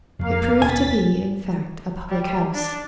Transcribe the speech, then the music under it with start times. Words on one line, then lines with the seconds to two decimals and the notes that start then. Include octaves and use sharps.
It proved to be, in fact, a public house.
0.19 F2 A#3 F5
0.62 D#2 B2 C#4 G#5 A6 B6
2.09 G3
2.54 D4